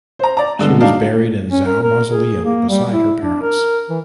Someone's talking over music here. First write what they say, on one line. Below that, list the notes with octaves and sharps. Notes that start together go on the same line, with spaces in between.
She was buried in Zhao Mausoleum beside her parents.
C5 A#5
D5 A#5
G2 D3 G#3 B3
F#3 D4 D#4 F5
C#4
A#4
A#4
G#4
A#3
G3
E4
D4
A#4
E3